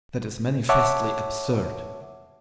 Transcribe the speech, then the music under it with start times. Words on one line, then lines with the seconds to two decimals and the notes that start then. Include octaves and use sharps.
That is manifestly absurd.
0.69 C#5 E5 F#5 A5 D6